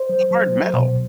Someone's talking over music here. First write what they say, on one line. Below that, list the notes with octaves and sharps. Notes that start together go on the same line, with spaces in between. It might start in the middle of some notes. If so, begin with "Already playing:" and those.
hard metal.
Already playing: C5
F#3
F#3
F#3
B2